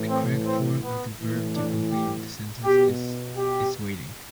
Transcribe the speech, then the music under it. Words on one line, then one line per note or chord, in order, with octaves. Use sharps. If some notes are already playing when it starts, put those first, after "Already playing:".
The correct form of the verb to complete this sentence is "is waiting".
Already playing: A2 E3
C4
C4
B3
A2 E3
D4
G4
B2 G4
G4